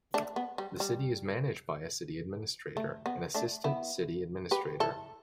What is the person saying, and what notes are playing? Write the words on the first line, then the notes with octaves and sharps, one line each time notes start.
The city is managed by a city administrator and assistant city administrator.
A3 D4
B3
G3
G3
A3
B3
A3 D4
B3 E4
G4 B4
E4 A4